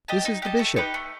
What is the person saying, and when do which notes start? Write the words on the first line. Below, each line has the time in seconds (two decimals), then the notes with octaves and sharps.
This is the Bishop.
0.08 G4 D#5 A5
0.25 D#4
0.42 G4 D#5 A5
0.59 A3
0.76 D#4 G4 B4
0.94 A3